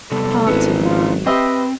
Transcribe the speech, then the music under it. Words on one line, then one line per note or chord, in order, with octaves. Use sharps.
Heart of mine!
C3 G3 B3 A4
G#1 B3 C#4 E4
F4
C4 G4 B4 D#5 E5